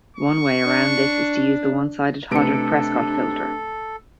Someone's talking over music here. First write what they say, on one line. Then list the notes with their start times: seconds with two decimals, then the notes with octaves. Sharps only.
One way around this is to use the one-sided Hodrick-Prescott filter.
0.17 C#6
0.64 D4
2.31 C3 A3 D4 A4 B4 C#7 D7